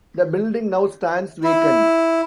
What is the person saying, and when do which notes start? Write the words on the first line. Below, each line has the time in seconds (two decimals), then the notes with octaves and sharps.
The building now stands vacant.
1.44 E4